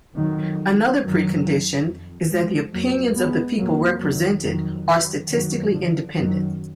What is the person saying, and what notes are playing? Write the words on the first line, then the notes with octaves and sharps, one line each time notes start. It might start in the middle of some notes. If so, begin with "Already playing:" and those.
Another precondition is that the opinions of the people represented are statistically independent.
F2 D#3 F#3
F#2 D#3 F#3
F2
F3 G#3
F2 F#3 A#3
G#3 B3
F2 F#3 A#3
D#3 F#3
F2 D#3 F#3
D#3 F#3
F#2 D#3 F#3
D3 F3
F#2 D#3 F#3